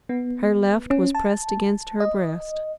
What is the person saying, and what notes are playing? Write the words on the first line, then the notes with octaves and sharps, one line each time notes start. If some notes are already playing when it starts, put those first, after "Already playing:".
Her left was pressed against her breast.
B3
C#4
A5
D#5